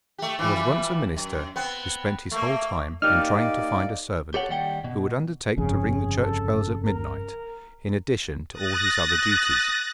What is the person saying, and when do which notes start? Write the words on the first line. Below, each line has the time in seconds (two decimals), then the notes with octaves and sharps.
There was once a minister who spent his whole time in trying to find a servant who would undertake to ring the church bells at midnight, in addition to all his other duties.
0.18 A3 G4
0.39 E3 F3 G3
1.16 F#2
1.56 B3 C4
2.31 A3 A#3
3.02 A#3 D#4 G4 D5 F6
4.34 G4 A4 C#5 F#5
4.49 D#2 G3 F#5 G5
4.84 B2
5.57 G1 F2 C#3 G#4
6.20 A4
6.84 A#4
8.51 D#6 F#6 A6 A#6